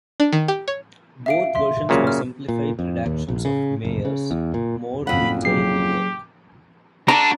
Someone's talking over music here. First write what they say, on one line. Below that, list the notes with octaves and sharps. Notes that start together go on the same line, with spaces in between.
Both versions were simplified redactions of Meyer's more detailed work.
D4
D#3
G4
C#5
E5 F5 D7
E5 C6
F#2 A#2 C#3
F6
A#2
F2
D#2
A#1
C#3
F#1
C#3
E2
A#2
F#1 F2 F#5 B5
F#3 G4 G#4 C7
D4 F#4 A4 A#5